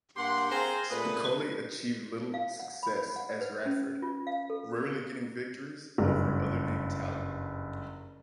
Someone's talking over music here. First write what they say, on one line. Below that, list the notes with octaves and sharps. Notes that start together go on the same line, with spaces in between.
Spicolli achieved little success as Radford, rarely getting victories over other name talent.
G2 A#3 G4 F#5 C6
C4 G#4 C5 F5 G#5 A#5
A#2 A3 G#4 B4
F5
F#5
B5
F#5
B4
C#4
F4
F5
A4
D6
F#1 G2